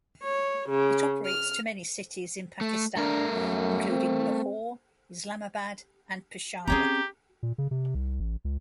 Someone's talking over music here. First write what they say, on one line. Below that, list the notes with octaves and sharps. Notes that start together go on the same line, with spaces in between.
It operates to many cities in Pakistan including Lahore, Islamabad and Peshawar.
C#5
C#3
F6
A3
A3 D4 A#4
F#2
C4
C4 C#4 G4 G#4 C#5 A#5
A#2
C#3
C3
C2
A1
C#2